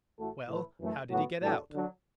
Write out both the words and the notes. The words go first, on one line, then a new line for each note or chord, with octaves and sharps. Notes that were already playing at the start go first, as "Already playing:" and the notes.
"Well, how did he get out?"
A1 A2 A3 F#4 A4
A2 E3 A3 E4 B4
F#2 E3 A3
A2 F#3 B3 F#4
A2 E3 D4 F#4 A4
D3 F#3 D4